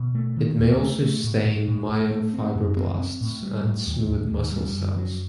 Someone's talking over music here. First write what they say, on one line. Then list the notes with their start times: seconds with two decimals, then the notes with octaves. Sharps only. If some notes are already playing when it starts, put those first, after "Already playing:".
It may also stain myofibroblasts and smooth muscle cells.
Already playing: B2
0.15 A3
0.37 D#3
0.59 D#2
0.80 A3
1.02 A3
1.24 A2
1.46 A2
1.68 A2
1.89 A2
2.11 A3
2.33 C4
2.55 F#2
2.77 C4
2.98 C4
3.21 A2
3.42 G3
3.65 A2
3.86 D#2
4.08 D#2
4.30 D#2
4.52 G3
4.74 F#2
4.96 F#3